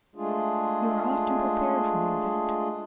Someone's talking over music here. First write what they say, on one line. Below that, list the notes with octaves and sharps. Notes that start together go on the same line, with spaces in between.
You are often prepared for the event.
G#3 A3 D4 F4 G#4